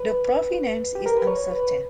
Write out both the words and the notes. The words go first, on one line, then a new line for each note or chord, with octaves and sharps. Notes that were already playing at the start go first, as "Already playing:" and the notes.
The provenance is uncertain.
Already playing: B4
G4
A#4
B4
C#5
B4